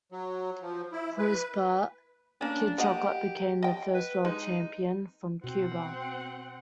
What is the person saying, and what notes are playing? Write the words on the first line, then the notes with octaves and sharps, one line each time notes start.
For his part, "Kid Chocolate" became the first world champion from Cuba.
F#3
F3
E4
B4
A#3 C#4 D4
A#3 G4 D#5 F#5
D#5 G5
B4
G#3 D#4
B2 C4 F#5